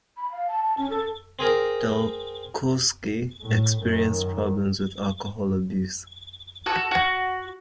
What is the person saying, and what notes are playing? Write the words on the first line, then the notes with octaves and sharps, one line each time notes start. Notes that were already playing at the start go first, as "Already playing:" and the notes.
Dalkowski experienced problems with alcohol abuse.
B5
F5
A5
A5
C#4
A4
C4 G#4 A#4
A2
F#2 D#3
F#4 A4
F#4